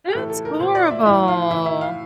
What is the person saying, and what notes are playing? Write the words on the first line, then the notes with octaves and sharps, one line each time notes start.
That's horrible.
G4
A2 E3 A4
A4
A#4
A#2 C5
D5
E5
A2 E3 E5
F5
A2 E3 E5
E5
F5